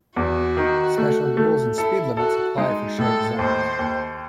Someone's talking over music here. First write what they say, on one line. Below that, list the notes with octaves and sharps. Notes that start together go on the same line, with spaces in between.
Special rules and speed limits apply for shared zones.
E2 F#4
D#3
A3
A3
E4 A4
F#4 A4
G#3 D#4
A2 A4
D#2 C5
D#2